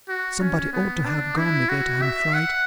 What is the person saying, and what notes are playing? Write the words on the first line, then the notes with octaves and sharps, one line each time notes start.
Somebody ought to have gone with it, I'm afraid.'
F#4
C#4
B3
D4
E4
F#4
E5
F#5